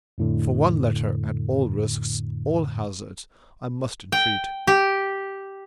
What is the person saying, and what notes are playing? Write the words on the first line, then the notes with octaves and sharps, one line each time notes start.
For one letter, at all risks, all hazards, I must entreat.
F2 A2 D3
G5
G4